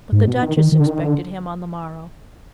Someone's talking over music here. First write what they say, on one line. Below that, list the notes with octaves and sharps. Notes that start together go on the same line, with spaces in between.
But the Duchess expected him on the morrow.
G#2
B2
D#3
D#3
D#3
D3
D#3
D3